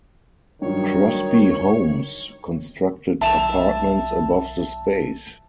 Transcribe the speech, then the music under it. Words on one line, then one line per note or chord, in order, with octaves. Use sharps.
Crosby Homes constructed apartments above the space.
G2 D#3 F#3 C#5
B1 E5 A5 E7 F7